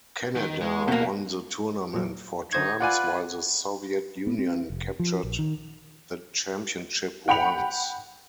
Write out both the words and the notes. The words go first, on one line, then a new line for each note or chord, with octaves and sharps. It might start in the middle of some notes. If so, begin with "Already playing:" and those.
Canada won the tournament four times, while the Soviet Union captured the championship once.
D#3
G#3
B2 A#3 F#4 A4
A#2 F#3
D3 D#4 C5 C#6 G#6
F4 B4 D5 F#5 G#5
B3
C4
F1
F3
A#1
D#3
F#5 G5 B5 C#7 F7